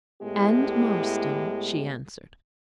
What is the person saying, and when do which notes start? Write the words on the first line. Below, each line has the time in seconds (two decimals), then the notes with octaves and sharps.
"And Marston," she answered.
0.22 A2 G#3 B3 E4 G4